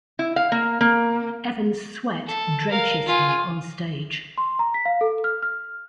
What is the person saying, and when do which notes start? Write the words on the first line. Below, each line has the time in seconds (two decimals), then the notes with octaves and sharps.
Evans' sweat drenches him on stage.
0.19 E4
0.36 F5
0.52 A#3
0.81 A#3
2.28 A4
2.70 A#4 F5
3.06 F4 G#5
4.38 C6
4.59 A#5
4.74 B6
4.86 F5
5.01 A4
5.24 F6
5.43 F6